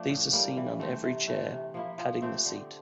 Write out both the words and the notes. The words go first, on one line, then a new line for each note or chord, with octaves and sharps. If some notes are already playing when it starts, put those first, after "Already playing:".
These are seen on every chair, padding the seat.
Already playing: F3 A3 D4
A2
G3 A#3 D4
E3
A3 C4
C3
E3 A3
C3
F3 A#3 E4
F3
A3 C4 G4
D3